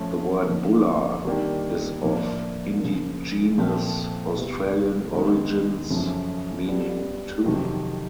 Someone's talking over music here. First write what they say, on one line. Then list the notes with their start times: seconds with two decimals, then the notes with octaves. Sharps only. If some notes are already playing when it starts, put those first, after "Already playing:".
The word Bulla is of indigenous Australian origins meaning 'two'.
Already playing: F3 A3 C#4
0.47 F2 D3 F3 A#3 D#4
1.25 D#3 G3 A#3 D4 G4
2.02 A2 F3 A#3 D4
2.80 C#3 F3 A#3
3.58 A#2 F3 A3 C4
4.34 E2 C3 E3 G3 B3
5.12 D#3 G#3 B3
5.90 F#2 C#3 F3 A3
6.67 G3 B3 D4 G4
7.45 F2 C3 D#3 F#3